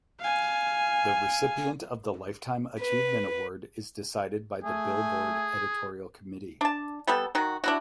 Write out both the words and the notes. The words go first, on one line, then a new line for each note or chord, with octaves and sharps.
The recipient of the Lifetime Achievement Award is decided by the "Billboard" editorial committee.
F5 G#5
B4
A3 G#4 G#5
D4 A5
G3 B3 A4
D#3 F#4
D4 E4 F#4